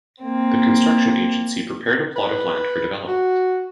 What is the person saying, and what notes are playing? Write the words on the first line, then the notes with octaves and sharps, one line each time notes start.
The construction agency prepared a plot of land for development.
A#3 C4
B4
F#4